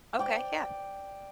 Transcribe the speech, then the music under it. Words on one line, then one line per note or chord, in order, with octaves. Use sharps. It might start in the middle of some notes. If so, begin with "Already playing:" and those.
Okay, yeah.
D5 G5